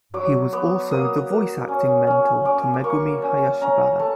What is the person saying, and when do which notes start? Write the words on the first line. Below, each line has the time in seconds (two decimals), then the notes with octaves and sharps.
He was also the voice acting mentor to Megumi Hayashibara.
0.14 F#3 D6
0.53 B3 D6
0.91 A#3 D#6
1.30 A#3
1.68 C#4
2.07 C#4
2.45 C#4 D6
2.74 D6
2.84 A#3 C#6
3.22 C#4
3.61 C#4 A#5
3.99 A3 A5